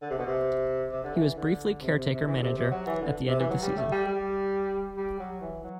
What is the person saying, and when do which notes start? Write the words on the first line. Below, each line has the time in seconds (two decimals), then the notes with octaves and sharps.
He was briefly caretaker manager at the end of the season.
0.02 D3
0.10 C3
0.18 B2
0.27 C3
0.91 C3
1.04 D3
1.14 E3
1.36 D3
1.82 C3
1.97 C3
2.12 C3
2.26 E3
2.36 D3
2.42 C3
2.57 C3
2.71 F#3
2.87 E3
3.01 D3
3.28 C3
3.39 E3
3.50 F#3
3.62 G3
3.77 A3
3.92 G3
4.06 G3
4.97 G3
5.19 F#3
5.41 E3
5.64 F#3